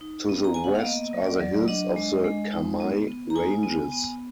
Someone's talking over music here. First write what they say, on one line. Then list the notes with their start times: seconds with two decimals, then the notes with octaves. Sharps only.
To the west are the hills of the Kaimai Ranges.
0.01 D#4
0.29 B3
0.44 A#5
0.54 B3 G#5
0.64 F#5
0.75 F5
0.85 A#3 D#5
1.13 F#3
1.26 D5
1.40 F#3
1.68 D4 D#5
1.96 G#3
2.24 G#3
2.52 D#4
2.80 B3
3.08 B3
3.30 A#5
3.35 D#4 G#5
3.63 B3
3.92 B3